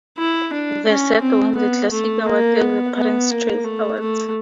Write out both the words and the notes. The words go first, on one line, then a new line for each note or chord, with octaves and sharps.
The set won the Classic Award at the Parents' Choice Awards.
E4
D4
C#4
C4
B3
A3
A#3
B3
B3
A#3
A3
A3